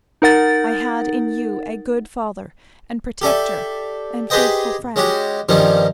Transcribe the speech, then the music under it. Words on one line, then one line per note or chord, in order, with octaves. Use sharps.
I had in you a good father and protector and faithful friend.
D#4 A#4 F#5 A6
G4 A4 D5 E5
G4 G#4 B4 C5 D#5 G5
G#3 C#4 F#4 G4
G2 D#3 F3 G3 C4 C#4